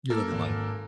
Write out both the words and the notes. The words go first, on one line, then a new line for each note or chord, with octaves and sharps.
You're living life.
A#3 A4 A#4
G#1